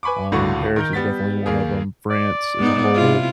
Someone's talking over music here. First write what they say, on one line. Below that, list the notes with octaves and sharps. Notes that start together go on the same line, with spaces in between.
um, and Paris is definitely one of 'em. France as a whole,
B4 G#5 B5 C#6 D6
C#2 A2 D3 F#4 C#6
D#3 A#4 G6
G3 B3 A6 B6
D#2 A#3 G#4
D5
G#3 B3 D#4
C3 E4 F4